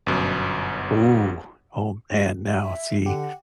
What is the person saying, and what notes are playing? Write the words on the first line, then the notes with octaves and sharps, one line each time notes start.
Ooh, oh man, now, see
G1 F#2 B2
E5
D3 G4 F#5